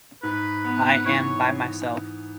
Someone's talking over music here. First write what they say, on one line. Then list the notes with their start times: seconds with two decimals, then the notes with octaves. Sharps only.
I am by myself.
0.23 G#2 B4
0.64 B3
1.06 E3 C#5